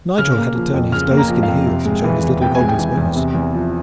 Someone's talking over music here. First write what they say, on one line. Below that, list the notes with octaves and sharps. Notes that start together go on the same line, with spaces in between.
Nigel had to turn his doeskin heels and show his little golden spurs.
C#3 F6
A#3
F3
F2
C#3 F6
A#3
A#5
F3
F5
F2
C3
G#3
E3
E2
C3 G5
G#5
G#3
G5
E3
E2
C3
E2
F3